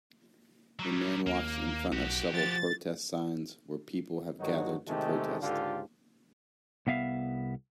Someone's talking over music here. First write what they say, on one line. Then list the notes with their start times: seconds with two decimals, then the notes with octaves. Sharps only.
A man walks in front of several protest signs where people have gathered to protest.
0.79 F#3 G3
1.27 D#2 A#3
1.92 B1 F#4 G4
2.33 F3 A6
4.39 G2 D#3 F#3 G#3 D#4 F#4
4.87 C3 D#3 G#3 A3 G4 A4
5.41 C#2 G#2 D3 F4 G4 A4
6.87 C2 B3 E5 F5